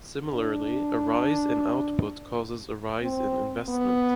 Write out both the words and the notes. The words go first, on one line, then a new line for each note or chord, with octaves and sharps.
Similarly, a rise in output causes a rise in investment.
D4
C4
B3